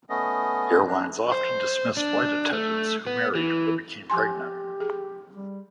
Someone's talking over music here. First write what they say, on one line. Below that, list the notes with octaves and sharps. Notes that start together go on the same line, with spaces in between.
Airlines often dismissed flight attendants who married or became pregnant.
A3 B3 C#4 D#5
D4
C5
D4
A3
B3
E3
F3 G4 G#5 C6
G#4
G3